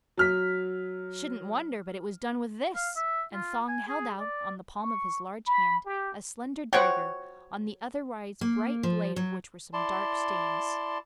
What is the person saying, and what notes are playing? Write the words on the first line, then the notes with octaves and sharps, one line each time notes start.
"Shouldn't wonder but it was done with this!" and Thong held out, on the palm of his large hand, a slender dagger, on the otherwise bright blade of which were some dark stains.
F#3 F6 B6
F5
E5
F4
G#5
G#4
D5
C#6
B5
G4
F#3 C5 C#5 F#5 G5 C#6
A#3
F3
F#3
E4 D5 A5 C6